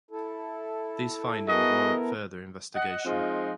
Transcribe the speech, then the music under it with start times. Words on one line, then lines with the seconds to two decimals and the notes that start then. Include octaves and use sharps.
These findings warrant further investigation.
0.11 E4 A4
1.47 B3 F#4 G#4 A#4 D#5
2.75 D#5 F#5
3.05 F3 G#3 C4 D#4 F4